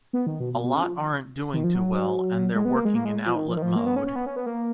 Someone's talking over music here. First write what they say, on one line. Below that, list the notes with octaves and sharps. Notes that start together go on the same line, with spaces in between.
A lot aren't doing too well and they're working in outlet mode.
B3
D#3
B2
B2
B2
C#3
F3
D#3
F3
F#3
G#3
B3
A#3
G#3
A#3
G#3
F3
D#3
F3
D#3
F3
A#3
B3
C#4
C#4
B3
C#4
B3
A#3